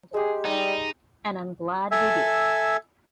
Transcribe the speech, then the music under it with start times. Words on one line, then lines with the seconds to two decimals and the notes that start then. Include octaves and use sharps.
And I’m glad we did.
0.14 G#3 G4 G#4
0.45 G3 D#4
1.91 A4 E5 G#5